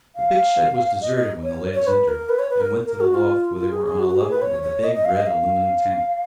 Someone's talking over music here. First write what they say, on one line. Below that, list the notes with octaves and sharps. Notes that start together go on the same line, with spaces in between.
The big shed was deserted when the lads entered, and went to the loft where they were on a level with the big, red aluminum tank.
F5
D#5
D#5
C#5
C#5
B4
A#4
B4
C#5
B4
A#4
A#4
F#4
F4
F4
G#4
G#4
F#4
F#4
G#4
B4
C#5
C#5
D#5
D#5
F5
D#5
F5